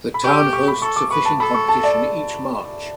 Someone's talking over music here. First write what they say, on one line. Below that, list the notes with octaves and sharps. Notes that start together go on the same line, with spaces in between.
The town hosts a fishing competition each March.
B5
G4 C#6
D6
C#6
B5
A4 C#6
D6
B4 C#6
A5
A4 B5
C#6
A5
D5